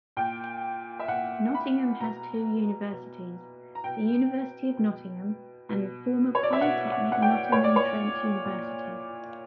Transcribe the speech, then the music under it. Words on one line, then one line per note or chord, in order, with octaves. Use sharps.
Nottingham has two universities, the University of Nottingham and the former polytechnic Nottingham Trent University.
A#2 G5
E5
A#2 F#5
B5
B2 A#5
B2
A#5
B2 G5
B2
B2
C#5
D5
E5
B2 F#5
F#5
F#5
G5
A#2 C#5
D5
C#5
A#2